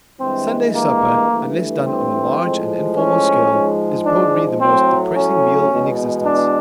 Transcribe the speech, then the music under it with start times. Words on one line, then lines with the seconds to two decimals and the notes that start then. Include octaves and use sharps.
Sunday supper, unless done on a large and informal scale, is probably the most depressing meal in existence.
0.19 G2 E3 G#3 C4
0.75 A#3
1.30 G2 E3 A3
1.85 C4
2.40 A2 F3 G#3
2.95 C#4
3.50 G#2 F3 G#3
4.05 D4
4.61 A2 F#3 A3 C4
5.16 C#4
5.71 E2 B2 G#3
6.26 D4